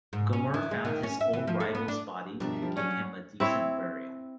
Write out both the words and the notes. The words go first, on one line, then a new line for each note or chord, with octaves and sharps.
Gomurr found his old rival's body, and gave him a decent burial.
G#2
C#4
E3
G#3
D#3
C#4
E5
E3
F3
A4
B3
D4
G2 B2 F3 D4 A#4 E5
F3 G3
F#3 C#4 F#4 D5
C4 E4 C#5